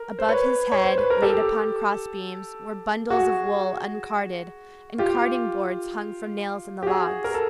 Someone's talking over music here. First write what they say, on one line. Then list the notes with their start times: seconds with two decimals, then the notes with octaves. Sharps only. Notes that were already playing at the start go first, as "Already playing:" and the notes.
Above his head, laid upon cross-beams, were bundles of wool uncarded, and carding-boards hung from nails in the logs.
Already playing: A#4
0.19 C5
0.28 B4 C#5
0.72 C#5
0.84 C5
0.98 B4
1.10 A#4
1.22 G4 A4
3.10 F#4 G#4
4.98 F4 G4
6.83 G4
6.87 F#4 G#4
7.24 A#4
7.34 A4